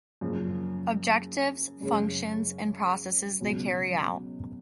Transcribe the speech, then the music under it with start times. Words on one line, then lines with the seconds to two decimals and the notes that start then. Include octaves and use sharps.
Objectives, functions and processes they carry out.
0.21 F#2 C#3 F3 A#3
1.81 F#2 C#3 G#3 C#4
3.40 C#2 B2 F#3 C#4